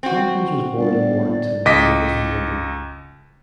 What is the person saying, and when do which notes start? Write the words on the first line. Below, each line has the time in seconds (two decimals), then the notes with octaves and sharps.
Tomkins was born in Warrington and raised in Wigan.
0.03 C4 F#4
0.78 G1 D5
1.66 C#2 D#5 D6 B6